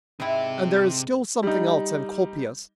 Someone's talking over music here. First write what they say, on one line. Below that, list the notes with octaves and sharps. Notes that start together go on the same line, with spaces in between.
And there is still something else, Encolpius.
G#2 C3 E4 G5
G3 D#4